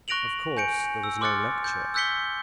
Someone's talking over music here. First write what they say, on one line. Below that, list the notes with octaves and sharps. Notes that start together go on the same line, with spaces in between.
Of course there was no lecture.
C#6 F#6 A#6 D7 F7 F#7
G#5 G6 C#7 D7
E6
C6 D6 F6 F#6 A6 C#7
G6
E6 F#6 G6 B6 C#7 G7